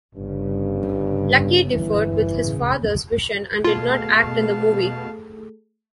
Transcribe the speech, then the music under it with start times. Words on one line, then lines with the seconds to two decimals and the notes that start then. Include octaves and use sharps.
Lucky differed with his father's vision and did not act in the movie.
0.15 G1 G2 C#3
1.72 E3
2.40 A2 C#3
3.64 B2 A3 F4 G#4 A4 F5 A5